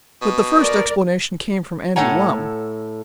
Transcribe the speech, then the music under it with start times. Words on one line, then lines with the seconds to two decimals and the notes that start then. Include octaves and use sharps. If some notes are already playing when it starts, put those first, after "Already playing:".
But the first explanation came from Andy Lumm.
0.22 B2
0.59 A#4 D5
1.96 A2 A4 C#5 F#5 G#5 A#5